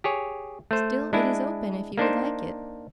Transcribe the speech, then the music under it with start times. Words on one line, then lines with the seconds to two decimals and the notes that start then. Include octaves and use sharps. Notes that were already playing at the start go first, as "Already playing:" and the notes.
Still it is open, if you would like it.'
0.04 G4 G#4 C#5
0.71 A3 C5
1.13 G#3 D4 E4
1.98 A#3 D4 D#4 C5